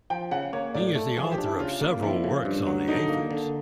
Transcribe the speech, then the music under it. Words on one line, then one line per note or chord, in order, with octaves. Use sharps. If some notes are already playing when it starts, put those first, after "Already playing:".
He is the author of several works on the aphids.
F3 G5
C#3 F#5
A#3 C#5
A2 D5
A3
F3 G#4
G4
D4
E4
C#3 F4
A#3 F4
F3 E4
C#3
G2
F#3
D3 D#4
A#3
D3